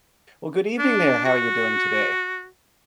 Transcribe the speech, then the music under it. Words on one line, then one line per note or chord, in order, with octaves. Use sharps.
Well, good evening, there. How are you doing today?
D4
F#4